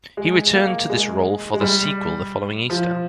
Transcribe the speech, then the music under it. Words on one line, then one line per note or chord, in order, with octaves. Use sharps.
He returned to this role for a sequel the following Easter.
G#3
A#3
G#3
G#3
G3
F3